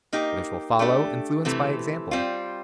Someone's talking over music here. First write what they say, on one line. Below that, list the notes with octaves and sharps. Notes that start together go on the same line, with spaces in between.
Others will follow, influenced by example.
A#3 D#4 G4
A3 D4 G4
C3 E3 A3
G3 C4 F4